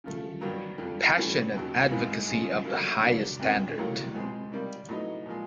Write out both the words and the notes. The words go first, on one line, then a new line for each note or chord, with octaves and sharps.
Passionate advocacy of the highest standard.
C#3 F3 A3
G2 D#3 F#3 A#3
F2 D3 F3
G2 E3 A3 C#4 F#4
D#2 C#3 F#3
G#2 E3 G#3 C4 F4
C#3 F3 G#3
D3 F#3 A#3
B2 F#3 A#3 D4
F2 C3 D#3 G#3 C#4
A1 A2 F#3 A#3
C#2 B2 G#3 C4
C3 D#3 G3 A#3
A2 F#3 B3 D#4
A#2 F3 G#3